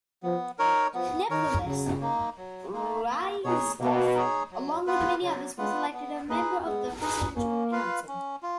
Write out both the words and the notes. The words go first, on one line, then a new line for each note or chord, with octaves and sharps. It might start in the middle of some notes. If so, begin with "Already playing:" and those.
Nevertheless, Ryzhkov, along with many others, was elected a member of the Presidential Council.
F3 B3
F3 D#4 A#4 C#5
F3 B3
D#3 D#4 A#4 C#5
C#3 F#3
A#3 D#4
F#3
A#3 D#4
A#3
B2 D#4 G#4 C#5
B2 A#3
D#4 G#4 C#5
F#3
B3 F4 B4
C#3 F#3
G#3 B3 F4 B4
B3
A#3 D#4 G#4 B4
G#3 B3
D#4 G#4 B4
A#3 C#4
F4 B4 F5
C#4
F4